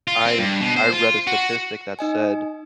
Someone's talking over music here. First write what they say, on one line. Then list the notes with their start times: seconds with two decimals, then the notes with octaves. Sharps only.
I re I read a statistic that said
0.08 F4
0.25 C4
0.39 G2
0.61 B2
0.76 C5
0.92 F4
1.27 F#4
1.99 D#4 D#5 G#5